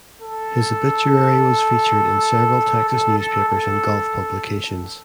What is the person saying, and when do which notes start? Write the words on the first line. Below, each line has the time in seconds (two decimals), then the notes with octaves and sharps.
His obituary was featured in several Texas newspapers and golf publications.
0.22 A4
2.89 A4
3.19 A4
3.49 A4